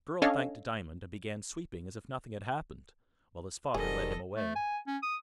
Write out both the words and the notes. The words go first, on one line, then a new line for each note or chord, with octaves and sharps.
The girl thanked Diamond, and began sweeping as if nothing had happened, while his father led him away.
C#4 D4 A4 C#5 D#5 F5
E1 G#2 D#3 G3 G#4 A4 D#5
A3
G#5
C#4
D#6